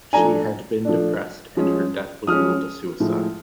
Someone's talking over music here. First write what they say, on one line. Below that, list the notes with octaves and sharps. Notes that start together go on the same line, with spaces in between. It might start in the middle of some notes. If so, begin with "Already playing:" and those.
She had been depressed and her death was ruled a suicide.
F3 A3 D4 G#5 A#5
F3 A3 D4
F3 G#3 C#4
F3 G#3 C#4 D#6 F6
A2 F3 G#3